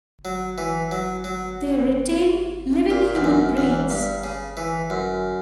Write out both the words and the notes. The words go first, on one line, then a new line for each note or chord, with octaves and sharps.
They retain living human brains.
F#3
E3
F#3
F#3
A#2
E2
F#2
E2
G2
C#3
E3
F#2